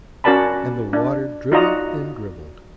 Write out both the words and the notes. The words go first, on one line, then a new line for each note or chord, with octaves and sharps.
And the water dribbled and dribbled.
C#4 F#4 A#4 D5 A5 B5
D4
D#4 F4 F#4 D5 D#5 A#5